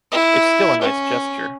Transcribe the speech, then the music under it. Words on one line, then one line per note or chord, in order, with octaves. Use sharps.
It's still a nice gesture.
E4
C#4